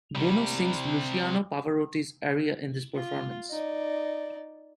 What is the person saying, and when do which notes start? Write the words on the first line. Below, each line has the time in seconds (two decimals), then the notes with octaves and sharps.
Bono sings Luciano Pavarotti's aria in this performance.
0.15 C3 G3
2.95 F4
3.51 D#4 D5